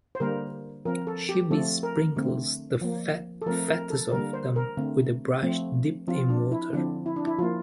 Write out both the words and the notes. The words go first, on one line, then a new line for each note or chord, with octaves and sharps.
She besprinkles the fattest of them with a brush dipped in water.
C5
D3 G3 A#3 A#4
F3 C4 A#4
A4
G4
F3 A3 C4 A4
A#4
D3 A3 C4
F3 A#3
A4
F3 A3 C4 A#4
A#4
A4
D3 G3 A#3 A#4
C5
A#4
D3 A3 C4
F3 A3 C4
F3 C4 F4
D4
E4
D3 F3 C4 D4
E4
D4
E4
F3 A#3 F4